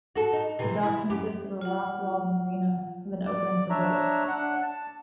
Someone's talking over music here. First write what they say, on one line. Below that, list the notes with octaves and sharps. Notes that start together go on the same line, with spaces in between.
The dock consists of a rock-walled marina with an opening for boats.
F#4 A4
D#4
C3 E3
E4
F#2 G4
F4 F#5
D5
D4 C#5 E5 A#5
D4 F#5
A5